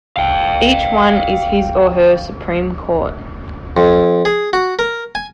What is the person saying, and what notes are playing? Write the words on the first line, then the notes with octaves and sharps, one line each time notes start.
Each one is his or her supreme court.
F5 G5
F2
G#4
F#4
A#4
G#5